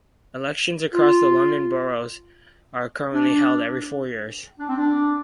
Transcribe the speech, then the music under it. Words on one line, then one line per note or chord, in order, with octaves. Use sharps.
Elections across the London Boroughs are currently held every four years.
F4
D4
D4
C4
D4